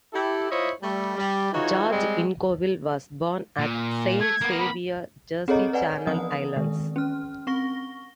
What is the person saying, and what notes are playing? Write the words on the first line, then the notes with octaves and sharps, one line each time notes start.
George Ingouville was born at Saint Saviour, Jersey Channel Islands.
E4 G4 A4
E4 F4 C5 C#5 D#5 E5
G3 A3
G3
E3 D#4 F4 F#4 G#4 C#5
G3 G#3 C4
A#2
A3 G#6
A#3 B3
B5
C4 G#4 A4 C#5 D#5 A#5
B4 D5 F#5 G#5
E3 F3 B3 C4 D#6
D#3 G#3
C#4 F6
C4 C#6 A#6 G7